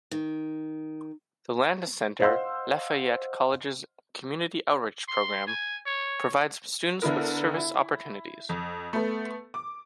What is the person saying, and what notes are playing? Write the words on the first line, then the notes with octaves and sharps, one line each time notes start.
The Landis Center, Lafayette College's community outreach program, provides students with service opportunities.
D#3
C5 D#5 F5 F#5 C6 E6
C6
G#5
C#5
D3 B3 E4 A#4
E4
F2
A3 B3
D6